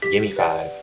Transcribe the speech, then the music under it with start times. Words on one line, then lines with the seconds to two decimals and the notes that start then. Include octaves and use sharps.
Gimme five.
0.02 G4 B6
0.36 B4 D5 F#5